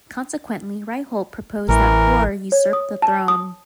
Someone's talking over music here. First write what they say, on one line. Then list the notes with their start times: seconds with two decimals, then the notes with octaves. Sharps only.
Consequently, Ryholt proposed that Hor usurped the throne.
1.69 A1 E3 A#4
2.52 C#5
2.73 D#6
3.02 A5
3.28 D#6